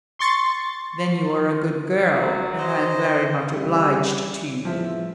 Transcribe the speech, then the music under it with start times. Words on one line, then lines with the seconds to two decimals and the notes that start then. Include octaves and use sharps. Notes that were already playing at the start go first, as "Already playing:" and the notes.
"Then you are a good girl, and I am very much obliged to you."
0.19 C6 C#6 A6
2.05 F#3
2.58 C5 D#5
3.50 C#3 G3 E4
4.65 E2 A2 F3 E5